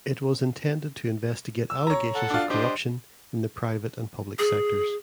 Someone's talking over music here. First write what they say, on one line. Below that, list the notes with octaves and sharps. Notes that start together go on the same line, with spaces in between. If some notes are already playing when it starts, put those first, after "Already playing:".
It was intended to investigate allegations of corruption in the private and public sectors.
E6
C#5 A#5
A4 F#5
D4 F4
D4 G4 C5 D#5
G#4